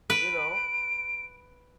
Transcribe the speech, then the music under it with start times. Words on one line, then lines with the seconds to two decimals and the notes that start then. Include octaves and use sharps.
you know?
0.10 B4 D7